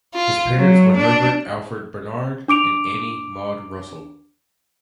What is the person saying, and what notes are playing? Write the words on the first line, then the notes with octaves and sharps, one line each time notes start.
His parents were Herbert Alfred Barnard and Annie Maude Russell.
F4
F#3
D4
D4 D6 D7 F7